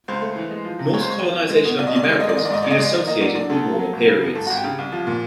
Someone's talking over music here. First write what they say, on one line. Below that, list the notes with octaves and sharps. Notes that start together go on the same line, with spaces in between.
Norse colonization of the Americas has been associated with warmer periods.
C#2 C5
A3
E3
G#3
F3
C3
C#2 C#5
C5
G#3 C#5
F3
C2
G#3
B2
C2 D5
D#5
C2 D5
D#5
G#3
D5
G#3 D#5
D5
D#3 D#5
D5
G#2 D#5
A1 D5
D#5
G#3 D5
D#5
D#3 D5
A#3 D#5
F#3 D5
D3 D5
D2 A4
A#3
F#3
G#1
C#3
F#2
G#1 A4
G#1 F#4
G4
C#3
C2
F3
A#2